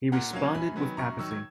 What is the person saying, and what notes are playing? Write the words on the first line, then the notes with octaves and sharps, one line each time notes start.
He responded with apathy.
A#2 F#5 A#5
F#3 A#3 C#4
F#2 G#5 B5
D#3 F#3 B3
F#2 A#5 C#6
D#3 F#3 C#6 E6
G#6